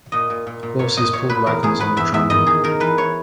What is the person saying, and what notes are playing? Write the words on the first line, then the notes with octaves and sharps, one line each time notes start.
Horses pulled wagons on the tramway.
A#2 D#5
A#2
A#2
A#2
A#2 C#5
A#2 D#5
A#2 C#5
A#2 B4
E2 A#4
E2 G#4
E2 B4
E2 E5
E2 E5
D#3 D#5
D#3 G#4
D#3 A#4
E3 B4
E3 C#5